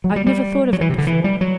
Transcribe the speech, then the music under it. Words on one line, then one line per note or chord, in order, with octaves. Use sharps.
I'd never thought of it before.
F#3
G3
G3
F#3
E3
C3
D3
E3
G3
F#3